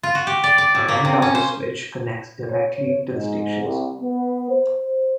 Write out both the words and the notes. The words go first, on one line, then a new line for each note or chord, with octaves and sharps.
An end office switch connects directly to the stations.
F4
F#4
G4
D5
D5
A2
A#3
C3
C#4
C5
C#5
G#2
C2
B3
C5